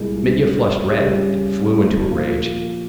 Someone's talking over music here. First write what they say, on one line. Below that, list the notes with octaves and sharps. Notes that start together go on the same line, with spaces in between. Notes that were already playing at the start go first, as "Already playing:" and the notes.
Mitya flushed red and flew into a rage.
Already playing: C2 A#2 G#3
C#3 G3 C#4 G4
A#2 F3 A#3 F4